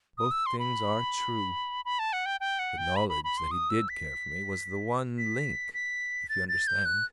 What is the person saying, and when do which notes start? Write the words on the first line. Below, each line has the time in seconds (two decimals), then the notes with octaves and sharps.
Both things are true. The knowledge that he did care for me was the one link, if you understand.
0.18 D#6
0.31 E6
0.46 C6
0.59 B5
1.85 B5
1.99 A5
2.13 F#5
2.26 G5
2.40 G5
2.59 F#5
2.78 G5
2.96 B5
3.09 B5
3.24 B5
3.37 C6
3.51 D#6
3.70 E6
3.89 B6
5.18 B6
5.74 B6
6.29 A6
6.49 A6
6.67 G6
6.85 F#6